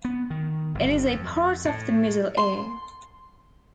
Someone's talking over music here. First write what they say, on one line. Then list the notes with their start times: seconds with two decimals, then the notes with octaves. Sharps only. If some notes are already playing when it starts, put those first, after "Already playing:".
It is a part of the middle ear.
0.05 B3
0.30 D#3
0.75 G1
1.05 F2
1.65 A2
2.37 C6